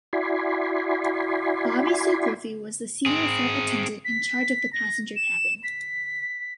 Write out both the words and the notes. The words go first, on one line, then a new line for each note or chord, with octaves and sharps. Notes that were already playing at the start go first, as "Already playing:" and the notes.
Bobbi Sue Griffey was the Senior Flight Attendant in charge of the passenger cabin.
E4 F#4 D5 G#5 B5 C6
C4 G#4
B6
A#6
E7
B6